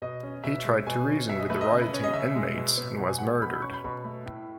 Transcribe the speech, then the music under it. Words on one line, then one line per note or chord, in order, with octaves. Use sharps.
He tried to reason with the rioting inmates and was murdered.
B2 D#5
C#4
B2 E5
G#3
B2 G#5
C#4
B2 E5
D#5
A3 B4
D#5
C#3
B4
C#4 C#5
D#5
C#3 E5
G#3
B2
B3
B2 F#5
G#5
G#3 F#5
B2 B5
B5
C#4 C#6
B5
B2 B5
A3
A2